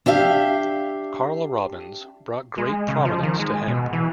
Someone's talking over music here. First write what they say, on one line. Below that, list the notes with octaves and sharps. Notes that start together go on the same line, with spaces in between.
Karl Robbins brought great prominence to Hemp.
D4 G4 E5 F5
G#3
C#3
F3
D#3
G#3
B2
E3